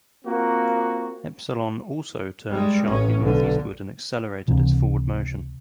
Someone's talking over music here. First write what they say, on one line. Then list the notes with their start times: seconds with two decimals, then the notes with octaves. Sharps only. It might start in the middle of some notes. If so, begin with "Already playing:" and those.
Epsilon also turned sharply northeastward and accelerated its forward motion.
0.25 A#3 C4 F4 F#4
2.51 G3 G#3
2.87 A1 C#4
3.21 B1 D3
4.48 C#2 C3 E3